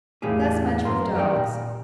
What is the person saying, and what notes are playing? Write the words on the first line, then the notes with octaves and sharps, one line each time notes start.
Thus much for the dogs.
E2 A2 A#3 G4 G#4
F#2 A#3 A#4 C6
G4 A#4 C#5 D5 G5
A#2